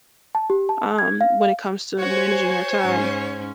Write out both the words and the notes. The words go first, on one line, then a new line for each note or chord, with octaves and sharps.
Um, when it comes to managing your time.
A5
G4
A5
G#6
F5
F5
F#4 C5 C#5 G#5
G#2 C#4